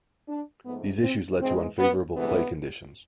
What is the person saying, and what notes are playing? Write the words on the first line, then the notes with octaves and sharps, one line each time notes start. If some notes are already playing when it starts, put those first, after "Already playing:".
These issues led to unfavorable play conditions.
D4
G#2 F3 A3 B3
C4
G#2 E3 G#3 C4
B3
D2 C3 E3 G#3 B3